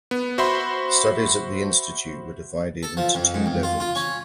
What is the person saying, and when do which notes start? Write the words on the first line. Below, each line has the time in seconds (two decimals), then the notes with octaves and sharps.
Studies at the Institute were divided into two levels.
0.11 B3
0.38 F#4 C5 E5 B5 C6
2.83 A4
2.97 F3
3.15 F2
3.34 G#2
3.46 F2
3.63 F4
3.80 F4
3.96 C#4